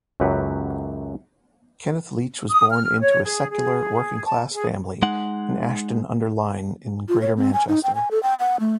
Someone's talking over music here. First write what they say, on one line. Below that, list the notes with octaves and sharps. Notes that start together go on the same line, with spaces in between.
Kenneth Leech was born into a secular working-class family in Ashton-under-Lyne in greater Manchester.
C#2 F#2 F#3 G4 B4 F#5
D#6
F6
C#5
G#4
G#4
A5
G#4
G#3 D#4 F#5
F4
C#5
C4
G#5
D#4
G5
G#5
A4
G5
F#5
A3